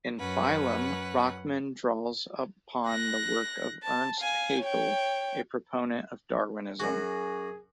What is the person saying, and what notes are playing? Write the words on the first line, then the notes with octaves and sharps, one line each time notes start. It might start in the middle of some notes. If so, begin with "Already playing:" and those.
In "Phylum", Rockman draws upon the work of Ernst Haeckel, a proponent of Darwinism.
F#2 C#4 B4 F#5
F#6 A#6
A5
F5 G#5
C#5 G5
F#2 F#4 G#4